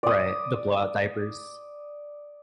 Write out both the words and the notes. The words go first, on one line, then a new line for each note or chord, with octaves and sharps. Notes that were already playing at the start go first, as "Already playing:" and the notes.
Right, the blowout diapers.
D5 D#6